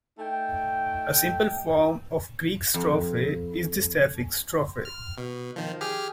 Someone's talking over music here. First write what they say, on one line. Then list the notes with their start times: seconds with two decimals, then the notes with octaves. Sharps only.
A simple form of Greek strophe is the Sapphic strophe.
0.19 A3 D#4 G5
2.74 F2
4.85 F6
5.18 B2
5.56 D#3 F3
5.81 G4 G#4 F6